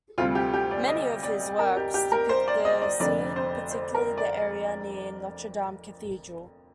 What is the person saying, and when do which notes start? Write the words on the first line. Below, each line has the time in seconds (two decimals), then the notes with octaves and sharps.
Many of his works depict the Seine, particularly the area near Notre-Dame Cathedral.
0.18 D2 C3 G3 F4
0.35 G4
0.54 G4
0.71 D5
0.88 D#5
1.23 D5
1.59 A#4
1.77 G4
1.94 G4
2.12 A#4
2.29 C5
2.48 D5
2.65 D#5
2.82 D5
3.00 F1 F2 D3 D5
3.36 C5
3.71 C5
3.95 A#4
4.18 D5